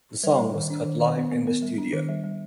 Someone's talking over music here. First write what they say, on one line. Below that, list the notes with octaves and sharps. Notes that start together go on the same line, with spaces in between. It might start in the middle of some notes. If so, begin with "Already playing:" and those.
The song was cut live in the studio.
G3 B4
G3
D#3
D4
D#3
D#3
B3
B3
B3 A#4
G3
D4
D#3
G3
G3